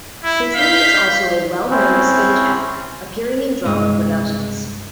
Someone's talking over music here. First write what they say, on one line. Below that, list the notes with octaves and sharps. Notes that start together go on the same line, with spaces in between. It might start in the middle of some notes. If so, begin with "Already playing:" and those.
Bisley is also a well-known stage actor, appearing in Drama productions.
E4
F5 G6 B6
C4 C#4 E4 C5
C2 G2 G#3 D#4